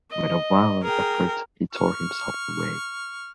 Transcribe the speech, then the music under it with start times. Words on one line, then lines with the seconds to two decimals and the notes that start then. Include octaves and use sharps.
And with a violent effort he tore himself away.
0.10 D#5
0.83 G#4 A#4 G5
1.73 C#6 F6